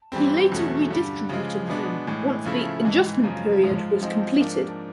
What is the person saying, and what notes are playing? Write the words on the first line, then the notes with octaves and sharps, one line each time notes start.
He later redistributed them once the adjustment period was completed.
G2 E3 G3 C4
E2 B2 F#3 A3 C#4
G2 D3 G3
C#3 F3 G#3
B2 G#3 B3 D4
A2 E3 G#3
C#3 F3 A3 C#4 E4
G#2 E3 G#3
F#2 C#3 F3 G#3
G#2 F3 G#3
G#2 F3 G#3 C4 D#4
G#2 F3 A#3 D4